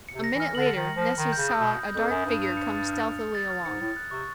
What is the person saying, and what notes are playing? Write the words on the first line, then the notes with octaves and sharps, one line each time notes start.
A minute later Nessus saw a dark figure come stealthily along.
C#7
C3
A#6
E3
F6
D3 F#7
D#3 C#7
A#6
F3
F6
D#3 B5
G6
C#3
D#6
B2
B5
B5
F2 G6
F#2 D#6
G2 B5
F7
C#7
A6
F6
F7
C#7
A6
F6
G#2 C#7
A2 A6
F#6
C3 C#6